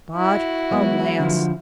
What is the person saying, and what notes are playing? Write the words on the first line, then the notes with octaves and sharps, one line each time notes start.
But alas!
E4 F#4
F#3 G#3 B3
D3 F3